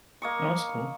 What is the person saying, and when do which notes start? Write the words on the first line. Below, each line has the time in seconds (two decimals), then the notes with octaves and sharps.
Oh, that's cool.
0.22 A#3 D#5 C#6